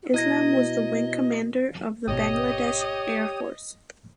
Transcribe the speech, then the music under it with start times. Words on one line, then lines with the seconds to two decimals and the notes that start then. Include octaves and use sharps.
Islam was the Wing Commander of the Bangladesh Air Force.
0.14 B2 E4 D#5 G#6 A#6
2.08 G#1 B2 G4 C#5 D#5 D#6